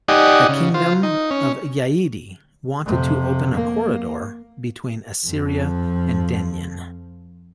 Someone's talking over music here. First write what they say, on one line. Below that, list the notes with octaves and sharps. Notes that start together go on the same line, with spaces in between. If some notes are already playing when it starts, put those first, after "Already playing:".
The Kingdom of Ya'idi wanted to open a corridor between Assyria and Denyen.
D#4 G4 D5 D#5 F#5 G#5
C#3
F4 C5
D#4
C#4
F2 C3
A#3
F2 F3